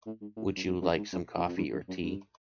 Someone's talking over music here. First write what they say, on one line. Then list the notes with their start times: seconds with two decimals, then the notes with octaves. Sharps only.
Would you like some coffee or tea?
0.06 A2
0.21 G#2
0.36 A2
0.46 G2
0.56 F#2
0.67 G2
0.82 F#2
0.97 G#2
1.12 F#2
1.37 F2
1.47 F2
1.57 G2
1.73 F#2
1.88 F#2
2.03 G2